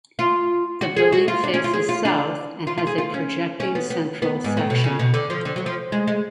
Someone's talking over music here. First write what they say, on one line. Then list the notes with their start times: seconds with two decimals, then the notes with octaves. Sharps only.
The building faces south, and has a projecting central section.
0.19 F4
0.81 F#4
0.96 G#4
1.12 F#4
1.28 F4
1.44 D4
1.54 C#4
1.64 F4
1.74 G#4
1.89 F4
2.05 D4
2.67 F4
2.78 F4
2.87 G#4
2.98 F4
3.14 C#4
3.60 C#4
3.75 B3
3.90 B3
4.22 B3
4.44 G#2
4.57 A2
4.70 B2
4.84 C#3
4.99 B2
5.14 D3
5.30 F3
5.45 D3
5.56 F#3
5.66 F3
5.92 G#3
6.07 G#3